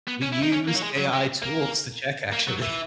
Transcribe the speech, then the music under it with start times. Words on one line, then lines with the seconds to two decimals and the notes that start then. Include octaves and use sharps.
we use AI tools to check actually.
0.08 B3
0.23 C#4
0.33 E4
0.43 D#4
0.53 C#4
0.68 A#3
0.76 F#3
0.83 G#3
0.98 F#3
1.13 G#3
1.42 A#3
2.32 A#3
2.47 F#3
2.62 E3